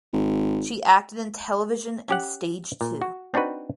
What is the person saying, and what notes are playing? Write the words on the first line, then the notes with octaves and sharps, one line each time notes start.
She acted in television and stage too.
G#1
C#4 G4 F#5
A#2
F#4
C4 D4 D#4 F#4 B4